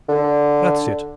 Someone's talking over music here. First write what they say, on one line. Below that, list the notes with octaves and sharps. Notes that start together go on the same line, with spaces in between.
That's it.
D3